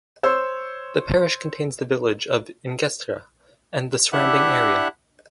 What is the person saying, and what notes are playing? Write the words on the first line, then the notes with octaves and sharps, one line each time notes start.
The parish contains the village of Ingestre and the surrounding area.
C5 C#5 E6
D4 E4 G4 E5 F#5 F#6